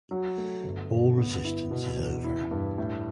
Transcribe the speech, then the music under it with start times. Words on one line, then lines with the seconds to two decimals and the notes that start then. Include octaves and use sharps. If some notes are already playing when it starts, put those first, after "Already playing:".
All resistance is over.
0.11 F#3
0.38 A3
0.64 G1
0.91 G1
1.18 B3
1.45 E4
1.71 B2
1.97 E2
2.24 E4
2.51 G2
2.78 A2